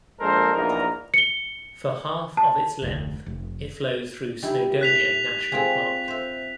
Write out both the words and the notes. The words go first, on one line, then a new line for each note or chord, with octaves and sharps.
For half of its length it flows through Snowdonia National Park.
A#1 G#3 A4 A#4 C5
A#1 E2 D#4 A#4 A#5
C#7 G7
A5
F1 D2
F1
G3 D#4 E4
F#6 B6 F7
C4 F4 G#4
C5 E5